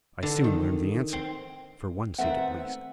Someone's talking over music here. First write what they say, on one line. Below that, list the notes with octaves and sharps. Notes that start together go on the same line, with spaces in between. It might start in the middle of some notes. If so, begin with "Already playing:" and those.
I soon learned the answer--for one seat at least.
D3
D#3
C4
D#3 A3 B3 C4 E5 F#5